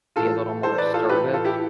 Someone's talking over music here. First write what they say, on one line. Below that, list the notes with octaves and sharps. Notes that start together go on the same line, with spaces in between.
Be a little more assertive
A2 E3 F4 A4
A2 E3 A4 C5
B4 D5
F4 A4
A2 E3 G4 B4
F4 A4
E4 G4